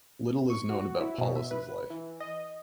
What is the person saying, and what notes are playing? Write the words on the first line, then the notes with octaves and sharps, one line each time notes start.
Little is known about Paulus' life.
C#6
F#4
E4
B2
E5
B4
E3
D#5